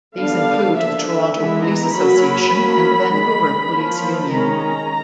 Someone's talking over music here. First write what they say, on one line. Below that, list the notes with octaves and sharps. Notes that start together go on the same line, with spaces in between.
These include the Toronto Police Association and the Vancouver Police Union.
D3 G3 B3 D4 F5
D3 F3 A#3 D4 E5
E5
E3 G#3 B3 E5
A#5
F#3 A#3 C#4 B5
F#3 A#3 C#4
D#3 G#3 C#4
F3 A#3 C#4
D#3 G#3 C#4 A#5